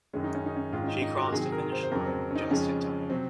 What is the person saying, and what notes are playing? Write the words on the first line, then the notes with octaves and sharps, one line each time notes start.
She crossed the finish line just in time.
F#2 D#3 G#3 C#4
D#4
C#4
D#4
C#4
G#2 D#3 G#3 F4
C#4
D#4
D#4
F#4
A#4
C3 D#3 F#3 G#4
A#4
C5
C5
F2 C#3 F#3 A#4
C4
C#4
D#4
F2 C#3 F3 G#3 C#4
C3 F#3 C4